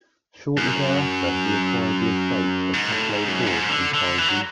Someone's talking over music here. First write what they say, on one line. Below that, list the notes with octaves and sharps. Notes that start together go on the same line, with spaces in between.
Shortly thereafter he acquired the estates of Taplow Court and Cliveden.
F#2
G#2
A2
G#2
F#2
G#2
D3
D3
E3
F#3